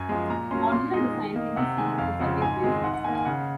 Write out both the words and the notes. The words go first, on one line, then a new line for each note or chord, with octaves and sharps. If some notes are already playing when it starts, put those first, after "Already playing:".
Modular design can be seen in certain buildings.
Already playing: F#2 G#5
F3 G#3
A#2 A#5
F#3 A#3 C#4 C6
A#2 C6
G#3 D#4
D#3
A#3 D#4
C3 F#5
D#3 G#3 G#5
F2 F5
C#3 F3 C4 F#5
G#2 G#5
D#3 G#3 C4
G#2 F#5
F#5
D#3 A#3 G#5
G#5
C#3 F#5